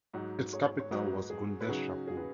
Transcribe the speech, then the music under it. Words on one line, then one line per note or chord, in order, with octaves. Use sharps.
Its capital was Gundeshapur.
G#2 F#3 D#4 F#4
G#4 C#5
C#5
G#2 F#3 D#4 F#4 B4
G#4
B4
C#3 F#3 D#4 F#4 G#4
G#4
B4